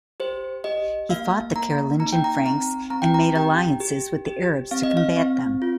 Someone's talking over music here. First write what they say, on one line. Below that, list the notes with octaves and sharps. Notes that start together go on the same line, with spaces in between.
He fought the Carolingian Franks and made alliances with the Arabs to combat them.
G4 C5
G4 D#5
A#3 F5
A#3 A#5
D#4 A#5
G5
A#5
C4 A#5
C4 A#5
G5
A#5
G4 G5
G4
G4
C4 F5
D#5
F5
C4
F4